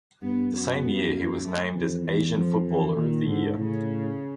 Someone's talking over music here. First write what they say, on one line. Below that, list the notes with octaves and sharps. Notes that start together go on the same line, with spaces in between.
The same year he was named as Asian Footballer of the Year.
G2 B3
F#2 B3
A#3
A3
F2 E3
E2 E3
F2 F3
E3
A#2 D#3
G#2 D3
A2 C#3